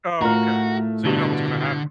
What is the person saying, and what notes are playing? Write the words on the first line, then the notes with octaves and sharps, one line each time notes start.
Oh, okay. So you know what's gonna happen?
A2 A3 F4 F#4 A#4 A#5 F6
G2 B2 D3